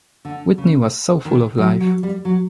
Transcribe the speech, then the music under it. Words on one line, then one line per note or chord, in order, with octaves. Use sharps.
Whitney was so full of life.
D3
C#3
D#3
F#3
F#3
G3
F#3